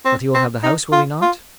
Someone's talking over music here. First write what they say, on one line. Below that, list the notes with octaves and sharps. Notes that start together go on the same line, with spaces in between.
"But he will have the house, will he not?"
C4
C4
D#4
F4
F4